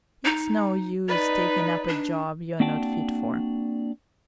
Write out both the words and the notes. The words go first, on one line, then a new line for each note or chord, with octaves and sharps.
It's no use taking up a job you are not fit for.
D#4
D#4 B4 D5
D4
A#3 C4 D4 F#4 G5 A5